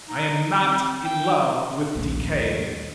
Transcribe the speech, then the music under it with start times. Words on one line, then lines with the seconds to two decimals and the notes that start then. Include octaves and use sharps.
I am not in love with decay.
0.09 D#4
0.62 C4
1.05 G5
1.95 A#1 D#2